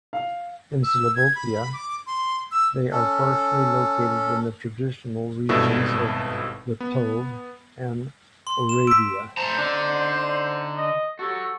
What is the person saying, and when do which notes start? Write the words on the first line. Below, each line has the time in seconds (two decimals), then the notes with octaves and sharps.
In Slovakia, they are partially located in the traditional regions of Liptov and Orava.
0.13 F5
0.83 E6
1.15 G#6
1.35 B5
1.73 D6
2.07 C6
2.51 E6
2.92 C#4 A4
5.49 G#1 G2 B2 E4 A4 C#6
6.80 B3
8.47 C6
8.69 E7
8.87 E6 B6 D7
9.37 A3 C5 A5 A#5
9.58 D3 D4 D#4
10.75 D#5
11.19 F#4 G4 A4 C#5